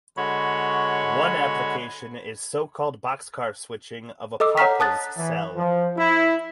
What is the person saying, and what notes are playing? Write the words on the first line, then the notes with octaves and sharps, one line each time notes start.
One application is so-called boxcar switching of a Pockels cell.
D3 G#3 F#4 C#5 B5 C#6
A4 D#5 D6 E6
C#5 F#5 A#5 F6 B6
A5 D#6 F#6 A6
E3
F3
E4